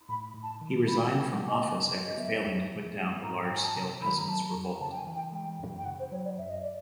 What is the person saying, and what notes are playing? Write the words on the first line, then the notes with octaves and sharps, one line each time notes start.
He resigned from office after failing to put down the large-scale peasants' revolt.
A2 B5
A2
A5
D#3
G3 B5
B3 G5
F#5
C3
D#5
C#3
F#3
D#5
B3 E5
E2
F3
G#3
G#2 A#5
G5
G#2 G#5
A5
C3 A#5
D#3 B5
A#5
F#3 A5
A#5
F2
C#3 A5
G5
G#5
E3
G5
G#3 G5
F#2
G5
C#3 F#5
C5
F#3 C#5
D5
F#2 E5
D#5
D5